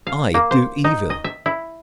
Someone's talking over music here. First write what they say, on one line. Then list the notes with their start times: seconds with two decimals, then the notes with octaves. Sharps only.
I, do evil!
0.07 F5
0.34 A#3
0.51 C5
0.84 D#4
1.10 D#5
1.24 E5
1.46 E4